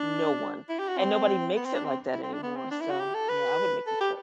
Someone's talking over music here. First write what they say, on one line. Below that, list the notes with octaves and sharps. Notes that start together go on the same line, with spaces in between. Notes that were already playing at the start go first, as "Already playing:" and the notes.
No one. And nobody makes it like that anymore, so, yeah, I wouldn't make the trip.
Already playing: D4
E4
G4
F#4
C4
B3
C4
D4
C4
E4
C4
D4
B3
C4
D4
E4
F#4
G4
A4
B4
A4
G4